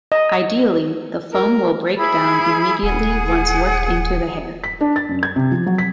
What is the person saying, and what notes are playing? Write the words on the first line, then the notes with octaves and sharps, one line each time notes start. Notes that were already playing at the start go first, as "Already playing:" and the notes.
Ideally, the foam will break down immediately once worked into the hair.
D#5
A#4
E4 G#4 B5
D#1 G#4 F#5 G#5
B6
D4
A6
F#2
G#6
C3
F3
F#3
B6